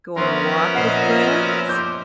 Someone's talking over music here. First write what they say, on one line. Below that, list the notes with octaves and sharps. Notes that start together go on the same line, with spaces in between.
go on a walk with friends,
F3 B3 C#4 A#4 C5 E5 C6
A#2 C5 D#5 F#5 C7
C6 D6 G6